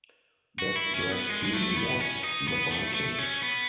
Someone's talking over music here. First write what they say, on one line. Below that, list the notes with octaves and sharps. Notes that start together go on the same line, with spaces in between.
Best dressed team was "The Vikings"!
F#4
E4
C#4
B3
G#3
G#3
A3
B3
C#4
D#4
B3
A3
A3
C#4
B3